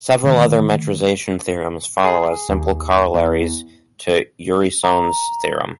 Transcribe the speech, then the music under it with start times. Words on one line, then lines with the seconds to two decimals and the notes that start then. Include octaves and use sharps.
Several other metrization theorems follow as simple corollaries to Urysohn's Theorem.
0.24 A#2 D3 D#3 A3
2.04 G#4
2.49 D#2
3.14 E2
4.83 A#5